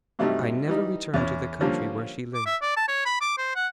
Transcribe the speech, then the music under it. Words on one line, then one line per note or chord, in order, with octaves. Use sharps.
"I never returned to the country where she lived."
G2 C3 F#3 G3 A3 D#4
E3 G3 D#4
E2 C#4
D3 F3 G3 A#3 C#4
D6
E5
D5
A5
C#5
B5
D6
C5
F#5